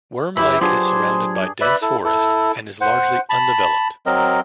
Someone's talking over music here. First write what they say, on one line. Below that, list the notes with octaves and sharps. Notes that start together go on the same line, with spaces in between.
Worm Lake is surrounded by dense forest and is largely undeveloped.
F#2 E4 G4 B4 B5
F#3 D4 F4 G4 G#4 C5
B4 D5 E5 B5
E4 A4
E4 A4
C5 F#5
A5 B5
F#3 C4 A#4 D#5